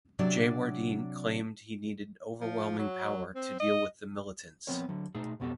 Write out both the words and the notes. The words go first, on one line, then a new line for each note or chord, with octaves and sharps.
Jayewardene claimed he needed overwhelming power to deal with the militants.
C3 F#3 D4 D5
F3
F#3
C4
D#5
F3 B3 C4 A#4 C#5
D3 F#3
B2 A3 D#4 G#4
B1 F2 B2 B3 G4 A4